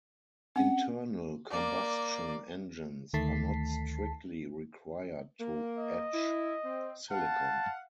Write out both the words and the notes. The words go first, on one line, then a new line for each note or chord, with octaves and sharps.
Internal combustion engines are not strictly required to etch silicon.
C4 C#4 F#5
A#3 D5
D2 D#3 A3 A5 B6 C7
A#3
D#5
E4
C4
F5 F#5 A5